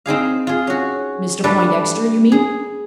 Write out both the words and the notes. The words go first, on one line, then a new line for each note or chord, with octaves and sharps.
"Mr Poindexter, you mean?"
C4 D#4 G#4 F5
F4 G#4
C#4 F#4
G3 A3 D4 A4 B4
G#4